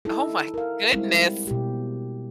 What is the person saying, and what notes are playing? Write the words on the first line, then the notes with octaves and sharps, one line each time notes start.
Oh my goodness.
D#4 E4 A4
A#4 F5
G3 G#3 C4 E4
B2 G4